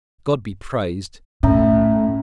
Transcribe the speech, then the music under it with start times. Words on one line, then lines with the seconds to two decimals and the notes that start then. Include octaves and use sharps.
God be praised!
1.43 A2 C#4 E5 A#5